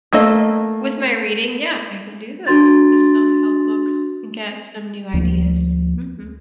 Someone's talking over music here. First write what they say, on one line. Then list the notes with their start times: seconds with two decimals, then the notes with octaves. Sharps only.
with my reading yeah, I can do those, the self-help books and get some new ideas. Mhm.
0.13 A3 A#3 A4 D#5
2.47 D4 F#4 C6 A6
5.14 D2 F3 A#3